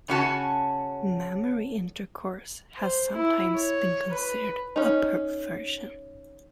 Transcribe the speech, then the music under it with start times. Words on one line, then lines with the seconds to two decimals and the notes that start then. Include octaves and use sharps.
Mammary intercourse has sometimes been considered a perversion.
0.08 C#3 C#4 F#4 A5
2.78 C5
3.12 E4
3.55 C#5
4.10 B4
4.76 C#4 D#4